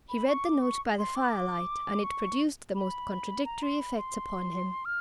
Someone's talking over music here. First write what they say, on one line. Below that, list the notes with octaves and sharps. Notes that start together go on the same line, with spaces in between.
He read the note by the firelight, and it produced the most contradictory effects upon him.
B5
C#6
D6
C#6
C6
D6
C#6
B5
A#5
C6
B5
C6
F6